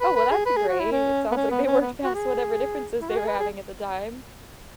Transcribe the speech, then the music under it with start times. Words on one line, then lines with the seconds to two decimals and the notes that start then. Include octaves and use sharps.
Oh well, that's great. It sounds like they worked past whatever differences they were having at the time.
0.01 B4
0.16 B4
0.31 G#4
0.46 B4
0.57 G#4
0.69 F#4
0.80 E4
0.92 C#4
1.31 B3
1.37 C#4
1.51 B3
1.67 C#4
1.81 B3
2.04 F#4
2.15 G#4
3.01 E4
3.09 F#4
3.17 G#4
3.28 B4
3.39 G#4